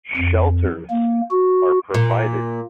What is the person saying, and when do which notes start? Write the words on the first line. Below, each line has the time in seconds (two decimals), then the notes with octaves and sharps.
Shelters are provided.
0.17 F2
0.90 A#3
1.31 F#4
1.94 A#2